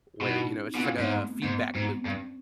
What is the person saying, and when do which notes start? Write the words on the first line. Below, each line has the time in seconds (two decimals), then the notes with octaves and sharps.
where, you know, it's just like a feedback loop.
0.16 E4
0.21 B2 D#4
0.37 D4
0.51 C4
0.67 C4
0.75 B2
0.83 A#2 C4
0.98 G#2 B3
1.13 A3
1.28 A#3
1.43 G#2 B3
1.53 C#4
1.59 C4
1.75 G#2
1.99 C4
2.05 G2 C#4
2.21 C4